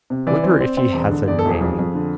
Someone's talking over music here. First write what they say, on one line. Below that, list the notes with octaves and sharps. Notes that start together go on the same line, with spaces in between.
Wonder if he has a name.
C3
E3 D5
C4
C4
C4
E1
D3
E2 D5
A4
E1
G#4
F2
F2
D3